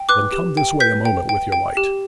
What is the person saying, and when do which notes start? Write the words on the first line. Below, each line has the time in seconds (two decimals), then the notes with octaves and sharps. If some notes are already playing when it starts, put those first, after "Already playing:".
'Then come this way a moment with your light.'
Already playing: G5
0.09 B4 D6 F#6
0.32 G4
0.57 G5
0.80 B4 G6 B6
1.05 G5
1.29 G5
1.52 G5
1.77 G4